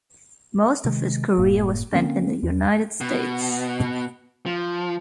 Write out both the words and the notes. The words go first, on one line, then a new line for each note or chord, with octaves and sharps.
Most of his career was spent in the United States.
C3 D#3 G#3
F#1 A2 A#3
D3 A#3 C4 C#4
E2
B2
F3